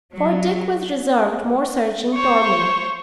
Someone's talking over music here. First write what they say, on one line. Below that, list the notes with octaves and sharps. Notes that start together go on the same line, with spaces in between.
For Dick was reserved more searching torment.
F#3
C5 C#5